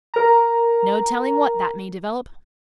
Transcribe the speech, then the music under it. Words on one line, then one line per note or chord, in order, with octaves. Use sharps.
No telling what that may develop.
A#4 A#5